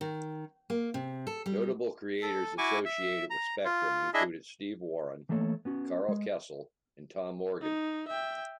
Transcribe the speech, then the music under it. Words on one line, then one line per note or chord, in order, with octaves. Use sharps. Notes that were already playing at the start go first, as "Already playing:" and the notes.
Notable creators associated with Spectrum included Steve Woron, Karl Kesel and Tom Morgan.
D#3
A#3
C3
A4
G3
A4
E4 F#4 G#5 C#6 D6
E5
A#5
F4
D4 E4 G#4 D#5 E5
E3 A3 A#3 A4 B4 C#5
B3 C#4 F#4
G#3
D#4
E5 G5